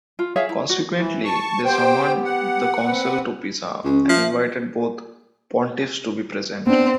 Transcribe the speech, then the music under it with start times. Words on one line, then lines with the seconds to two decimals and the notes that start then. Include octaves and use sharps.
Consequently, they summoned the council to Pisa and invited both pontiffs to be present.
0.19 F4
0.36 G#4 C#5 E5 F5
0.49 E4
0.69 F#4
0.95 E3
1.25 A5 C#6
1.65 B3 G4 C5 G5
2.24 F#5
2.87 C4 B4
3.84 C#2 C#4
4.09 F3 E5
6.66 B3 C4 D4